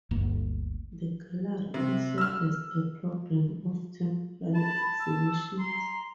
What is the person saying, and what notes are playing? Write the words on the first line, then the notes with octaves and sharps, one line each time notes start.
The gallery also has a programme of temporary exhibitions.
G1 D2 G2 A#3
C3
E6 F6
A5 B5
E6
A#5 C6